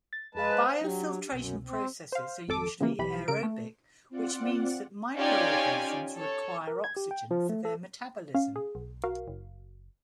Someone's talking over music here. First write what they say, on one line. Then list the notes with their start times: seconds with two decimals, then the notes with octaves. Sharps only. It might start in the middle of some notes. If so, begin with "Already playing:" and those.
Biofiltration processes are usually aerobic, which means that microorganisms require oxygen for their metabolism.
0.13 A6
0.35 F2 G#3 G#4 B4 F5 A5
0.50 C5 F5 F#6
0.82 F#3 D4 G4
1.32 C2 F#2 B2
1.67 C4
2.12 C5 F5
2.48 G#1 F2 A4 D6
2.80 C#3 E3 A#3
2.99 B1 E3 G4 B5
3.28 C#3 A#4 D7
3.43 A3
4.09 C4 F4 D5 F#5
5.16 C#4 D#4 F4 G4 D5 G#5
6.16 A4 C#5
6.67 A#4
6.84 G#6
6.97 G4
7.11 G5
7.31 F3
7.49 A3
7.65 A4
8.34 C#4 F5
8.56 G#4
8.75 B1
9.04 F#4 A#4 F5
9.28 F#1